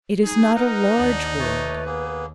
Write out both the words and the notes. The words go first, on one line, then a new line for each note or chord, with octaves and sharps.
It is not a large world.
D#4 G#4
D#4 A#4 B4 F#5 A#5
D#2 D4 D5 F#5
A3 B4 C#5 D5
A#3 B3 G#4